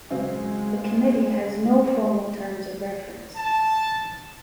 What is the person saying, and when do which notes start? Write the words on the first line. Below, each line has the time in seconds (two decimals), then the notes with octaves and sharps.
The Committee has no formal terms of reference.
0.10 C#3 F#3 G#3 C4
3.36 A5